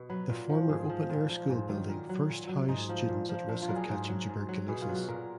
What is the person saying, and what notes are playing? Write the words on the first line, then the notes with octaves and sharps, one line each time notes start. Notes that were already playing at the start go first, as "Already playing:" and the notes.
The former open air school building first housed students at risk of catching tuberculosis.
Already playing: B2
F#3 B4
A#2
F3
G#2 G#4
F3
A#2
F3
G#2
D#3 F#3
A#2 A#4
F#3
A#2
F#3
G#2 D#4
F3
A#2
F3
A#2 D4
F4
F#3 A#4
G#4
G#2 A#4
F#3
G#2
F#3
B2 G#4
F4
F#3
F#4
A#2 A#4